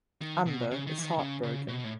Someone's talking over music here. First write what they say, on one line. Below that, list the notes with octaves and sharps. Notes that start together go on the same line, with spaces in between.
Amber is heartbroken.
D#3
B2
C#3
D#3
E3
D#3
C#3
C#3
B2
A2